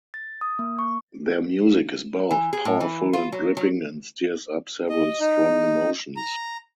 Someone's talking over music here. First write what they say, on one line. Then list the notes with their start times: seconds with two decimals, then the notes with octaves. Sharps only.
Their music is both powerful and gripping and stirs up several strong emotions.
0.14 A6
0.41 D#6
0.59 A#3
0.79 C#6
2.31 E3
2.53 G#4
2.65 A2
2.80 E3
3.13 F4
3.32 F#3
3.57 F#3
4.89 D#5
5.20 D#4
6.17 A#5